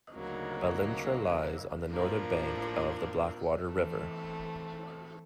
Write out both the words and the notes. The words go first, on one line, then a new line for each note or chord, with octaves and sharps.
Ballintra lies on the northern bank of the Blackwater river.
D2 C#3 F#3 A#3 D#4
A2 F3 A#3 D4
E3 A3 C4